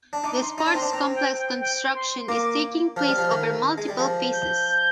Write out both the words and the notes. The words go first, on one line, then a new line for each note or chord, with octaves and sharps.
The sports complex construction is taking place over multiple phases.
D4
D#4 D6
C6
D#4 A#5
D4
C4 C6
D4
C4 A#5
G5
G5
G5
C6
A#3 D6
F3 F6
G3
F3
D#3
G#3
G3
F3
G6